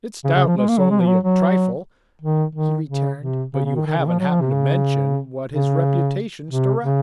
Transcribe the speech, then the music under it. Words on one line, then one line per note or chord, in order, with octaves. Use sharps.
"It's doubtless only a trifle," he returned, "but you haven't happened to mention what his reputation's to rest on."
C#3
C#3
F3
G#3
A#3
F#3
G#3
F3
F#3
F#3
D#3
D#3
C#3
C3
C#3
C#3
D#3
D#3
C#3
F3
F#3
F3
C3
C#3
C#3
C3
C#3